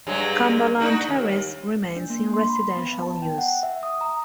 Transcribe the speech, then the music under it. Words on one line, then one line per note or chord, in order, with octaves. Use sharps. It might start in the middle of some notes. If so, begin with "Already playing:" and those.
Cumberland Terrace remains in residential use.
G2 F#3 G#3
D4 D#4 F#4
D#2
D4
A#3
C6
B5
B3
A5
G5
F#5
E5
D#6
A#5